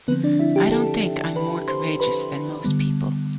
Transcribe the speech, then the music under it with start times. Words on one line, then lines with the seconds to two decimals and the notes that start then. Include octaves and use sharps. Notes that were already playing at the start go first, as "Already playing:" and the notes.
I don’t think I’m more courageous than most people.
0.08 D3 F3 B3 C4 B4
0.24 D4 D5
0.39 E4 E5
0.56 G4 G5
0.71 A4 A5
1.36 B4 B5
1.68 C5 C6
2.00 B4 B5
2.64 D3 G3 B3